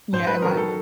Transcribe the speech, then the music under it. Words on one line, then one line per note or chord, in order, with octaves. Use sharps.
Yeah, it might.
G#2 C5
B4
D#3 F#3 A#4
A4